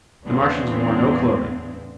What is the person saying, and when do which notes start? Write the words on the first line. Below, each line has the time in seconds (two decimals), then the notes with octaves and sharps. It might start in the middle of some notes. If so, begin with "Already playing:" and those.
The Martians wore no clothing.
0.24 E2 A2 C#3 B3 C4 D4